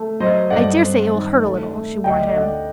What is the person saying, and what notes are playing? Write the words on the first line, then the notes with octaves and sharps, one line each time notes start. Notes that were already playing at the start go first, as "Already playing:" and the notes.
"I daresay it will hurt a little," she warned him.
Already playing: A3
F#3 C5 D#5
G2 D5 F#5
C4
D#3
A3
A3
D2 D#5 G5
D5
D#5
D3 D5 F#5